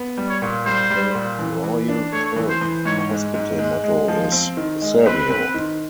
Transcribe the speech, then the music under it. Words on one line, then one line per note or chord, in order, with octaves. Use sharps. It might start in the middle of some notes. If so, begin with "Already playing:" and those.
The Royal Perth Hospital motto is "Servio".
Already playing: B3
G3
C#5
A#2
G3 C5
G3
A#2
E3
E3
D4
A3 C#5
E3
C5
E3
G#2 C#5
G#3
G#2
G#3
G#3
F3
C4
D#3
G#3
C4 B4
C4
D#3